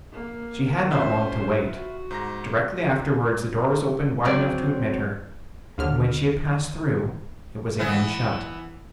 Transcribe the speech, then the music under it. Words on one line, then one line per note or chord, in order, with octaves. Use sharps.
She had not long to wait; directly afterwards the door was opened wide enough to admit her, and when she had passed through, it was again shut.
A#3
C#4 F4 B4 C5 E5
F#4
G#2 A#5 A#6
F#3 C4 D5
D#2 D3 F6
E3 B3 E4